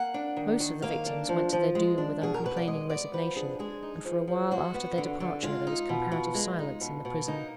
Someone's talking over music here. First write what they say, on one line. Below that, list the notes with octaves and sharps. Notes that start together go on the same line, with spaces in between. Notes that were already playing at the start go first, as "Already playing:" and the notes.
Most of the victims went to their doom with uncomplaining resignation, and for a while after their departure there was comparative silence in the prison.
Already playing: A#3 F#5
D4
D#3
D#3
A#3 F5
D4
F3
F3
G#3
D4
B2 G#4
A#4
B2 B4
D5
G#3 D#5
B3 D5
F3 B4
D4 G#4
G#3 G#4
D#4
F3
F3
G#3 F#4
B3
D3
D3
G#3 F4
D#4
B2
B2
G#3
D#4
B2
B2
A#3 D#4